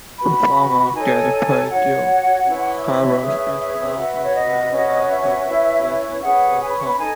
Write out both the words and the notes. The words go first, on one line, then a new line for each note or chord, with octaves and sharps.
The former "Great Pityus" harbour is now a mere lake within the town.
F#4 B4 B5
D#4 A4 C#5 G#5
F#4 C#5 F#5
C#4 E4 B4
E5
C#4 G#4 B4
E5
F#4 B4
C#5
D#5
C#4 F#4 B4
E5
C#4 E4 B4
C#4 G#4 B4 F#5
G#5
B5
C#6
B5
D#4 A4 G#5